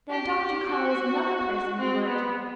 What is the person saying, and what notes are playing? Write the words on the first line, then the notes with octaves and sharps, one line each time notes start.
Then Dr. Carr was another person who worried her.
G4
F#4
C4
B3